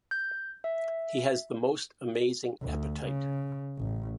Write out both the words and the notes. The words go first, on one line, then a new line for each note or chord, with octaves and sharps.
He has the most amazing appetite.
G6
E5
D2
C#3
A1